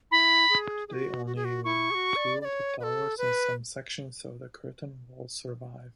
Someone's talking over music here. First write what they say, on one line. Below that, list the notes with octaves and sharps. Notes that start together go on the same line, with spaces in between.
Today only two of the towers and some sections of the curtain wall survive.
E4 B5
G#4
G#4
F#4
F#4
G#4
F#4
E4 C#6
G#4
F#4
D5
D5
C#5
B4
A4
B4